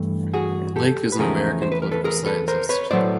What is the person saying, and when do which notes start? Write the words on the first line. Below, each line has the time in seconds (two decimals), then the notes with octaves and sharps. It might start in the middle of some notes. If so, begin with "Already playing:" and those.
Lake is an American political scientist.
Already playing: G2 E3 A3
0.33 F#4 G#4
0.76 G4 A4
1.12 B4
1.19 E2 C#3 F3 A3 G#4 A#4
1.62 C5
1.72 B4
1.82 A#4
1.91 A4 B4
2.04 G#4 A#4
2.26 A4 B4
2.48 A#4 C5
2.69 B4 C#5
2.91 A2 F#3 A3 C5 D5